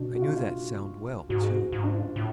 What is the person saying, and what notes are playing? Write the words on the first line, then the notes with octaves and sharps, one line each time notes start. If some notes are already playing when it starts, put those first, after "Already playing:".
I knew that sound well, too.
Already playing: B2 D4
F#4
F4
D4
F4
G#2 F#4
G#4
F#4
G#2 F4
D4
F4
A2